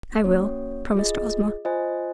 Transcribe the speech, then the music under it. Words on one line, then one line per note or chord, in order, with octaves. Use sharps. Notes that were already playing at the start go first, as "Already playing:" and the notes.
"I will," promised Ozma.
A#3 C#4 F#4 C#5
F4 G#4 D#5
F4 C5 D#5 G#5